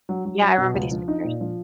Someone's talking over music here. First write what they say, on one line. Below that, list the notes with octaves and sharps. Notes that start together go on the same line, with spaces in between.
Yeah, I remember these pictures.
F#3
F#3
F#3
B2
C#2
F3
D#4
A#2
F3